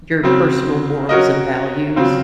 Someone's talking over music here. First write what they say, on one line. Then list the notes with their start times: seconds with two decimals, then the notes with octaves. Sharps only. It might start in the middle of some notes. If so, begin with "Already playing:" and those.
your personal morals and values,
0.23 C#3 F#3 C4
1.09 F#3 C#4 F#4 A#4 D#5
1.96 C#3 F#3 C4 F4